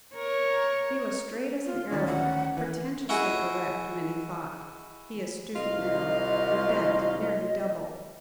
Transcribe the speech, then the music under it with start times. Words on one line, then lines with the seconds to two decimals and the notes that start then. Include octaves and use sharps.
He was straight as an arrow--pretentiously erect, many thought; he is stooped now, and bent nearly double.
0.15 A#4 C#5
1.66 F4
1.91 D2 D#3 C#4 D5
2.06 F#5
2.57 E3 B4
3.09 E4 F#4 G#4 D#5
5.55 C2 F4 D#5